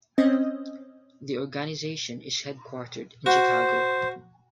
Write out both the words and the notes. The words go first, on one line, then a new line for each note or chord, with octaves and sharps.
The organization is headquartered in Chicago.
C4 C#4 D#5
F#4 C5